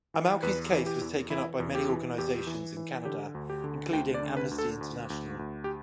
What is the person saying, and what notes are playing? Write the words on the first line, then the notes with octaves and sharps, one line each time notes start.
Almalki's case was taken up by many organizations in Canada, including Amnesty International.
E3
E2 B4
E3
G4
E2
E3 E4
E2
G4
E3
E2 G4
E3
E3
D3 G4
D2
G4
D3
D2 G5
D5
D3
B4
D2
A4
D2
D2
D2
G4